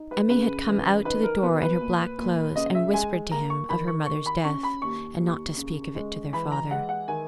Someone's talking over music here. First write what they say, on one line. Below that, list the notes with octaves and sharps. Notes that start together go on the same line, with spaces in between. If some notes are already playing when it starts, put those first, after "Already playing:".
Emmy had come out to the door in her black clothes and whispered to him of her mother's death, and not to speak of it to their father.
Already playing: D#4
B4
C#3 B4
E3
D#4 B4
A#4
B2 B4
B4
A#2
A#2
C#3 D#5
E5
G#3 G#5
A#3 A#5
C#6
D#3 B5
C#6
D#3 C#6
B5
C#4 C#6
B5
D#2 C#6
D#2
C#3
G#3
E3 B5
A#5
G#3 F#5
F#5
D#3 G#5